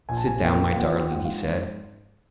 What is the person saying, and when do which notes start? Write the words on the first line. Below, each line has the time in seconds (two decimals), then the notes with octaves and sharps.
"Sit down, my darling," he said.
0.09 A#1 G#5
0.17 A5
0.26 G#5
0.43 A#3 G5
0.72 F5
0.79 F3 F#5
0.99 G5
1.12 G#2 F#5
1.25 F5